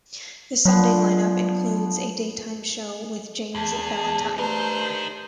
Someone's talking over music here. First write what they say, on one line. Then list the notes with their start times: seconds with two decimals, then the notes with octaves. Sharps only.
The Sunday line-up includes a daytime show with James Valentine.
0.65 D3 F3 F#3 B3
3.55 E2 G#4 A5
4.38 G2 A3 D#4 A#4 C5